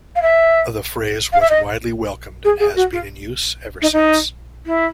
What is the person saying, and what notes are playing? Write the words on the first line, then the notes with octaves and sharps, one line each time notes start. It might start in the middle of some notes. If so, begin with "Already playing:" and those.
The phrase was widely welcomed and has been in use ever since.
F5
E5
F5
E5
D#5
G#4
G#4
F#4
F4
D#4
D#4
E4